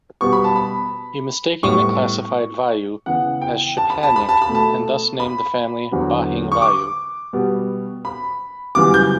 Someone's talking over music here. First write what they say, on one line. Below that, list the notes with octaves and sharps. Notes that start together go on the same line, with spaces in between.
He mistakenly classified Vayu as Chepangic and thus named the family Bahing-Vayu.
B2 G3 B3 C#6
B5
A5
B5
A2 G3 B3 C#6
C#3 E3 B3 F#5
G5
A5
B5
A5
B5
A5
B5
B2 A3
A5
B5
E2 D3 F#3 B3
C#6
D6
B2 G3 B3
B5
F#2 C#3 E3 G3 B3 D6
G6